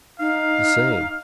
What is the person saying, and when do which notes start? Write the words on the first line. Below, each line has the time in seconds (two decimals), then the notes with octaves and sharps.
"The same."
0.20 D#4 F5